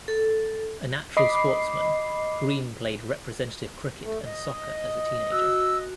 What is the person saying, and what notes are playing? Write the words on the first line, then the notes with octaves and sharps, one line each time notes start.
A natural sportsman, Green played representative cricket and soccer as a teenager.
A4
D#5 B5 D6 C7
A3
D#5
F#4 E6